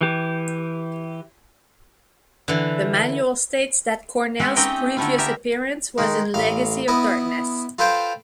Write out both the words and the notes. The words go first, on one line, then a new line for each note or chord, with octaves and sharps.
The manual states that Cornell's previous appearance was in Legacy of Darkness.
E3 G4
D3 E3
G#3 A3 B3 C4 A4 B4
C4 C#4 D#4 G4 D#5 G5
D3 A3 E4 F4
G4 G#4 A#4 E5 A#5
D#3 G#3
A1 F5
B3 E4 B4 D#5
F4 A4 B4 C5 F5 G5